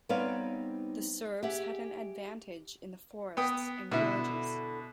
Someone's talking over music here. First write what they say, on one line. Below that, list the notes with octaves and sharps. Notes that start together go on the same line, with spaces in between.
The Serbs had an advantage in the forests and gorges.
G3 B3 C4 D#4 C#5 F5
G4 G#4 E5 F#5
B3 G5 D#6
B2 D3 E4